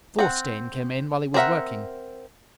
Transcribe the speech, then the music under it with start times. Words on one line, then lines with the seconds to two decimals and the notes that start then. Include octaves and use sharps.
Thorstein came in while he was working.
0.19 C4 F#5
1.34 C4 D4 A#4 E5 F#5